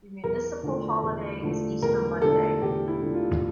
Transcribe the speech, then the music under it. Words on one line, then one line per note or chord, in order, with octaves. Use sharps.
The municipal holiday is Easter Monday.
E2 A#4
D3 F3 A3
E2
D3 F3 A3
E2 A#4
D3 F3 A3 A4
E2 G4
E4
D3 F3 A3
F4